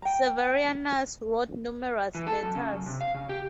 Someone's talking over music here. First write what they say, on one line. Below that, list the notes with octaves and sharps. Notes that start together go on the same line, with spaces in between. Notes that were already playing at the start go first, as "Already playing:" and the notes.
Severianus wrote numerous letters.
G5 A#5
E3
A4
F#2
C#3
F#2
C3
F5
C#3
G4